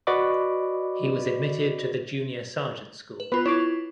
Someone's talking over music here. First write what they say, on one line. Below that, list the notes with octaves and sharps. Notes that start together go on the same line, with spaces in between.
He was admitted to the junior sergeant school.
F#4 B4 D5 D#5 B5 D6
B4
B3 F4 B4
E4 F4 C#5 D6